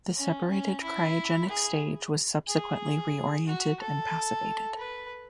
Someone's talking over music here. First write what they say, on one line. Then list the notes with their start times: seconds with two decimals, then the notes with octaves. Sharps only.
The separated cryogenic stage was subsequently reoriented and passivated.
0.17 C#4
0.50 C#4
0.83 E4
1.49 G#4
2.48 G#4
3.47 F#4
3.80 A4
4.79 B4